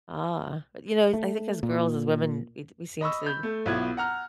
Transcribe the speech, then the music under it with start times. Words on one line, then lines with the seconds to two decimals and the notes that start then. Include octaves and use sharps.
Ah, but, you know, I think as girls, as women, we we seem to
1.13 A3
1.63 A#2
3.01 D#5 B5 C#6 E6
3.26 B5 G6
3.43 A3
3.66 B1 B3 E4 F4 F#6 G#6
3.97 F#5 A#5 F6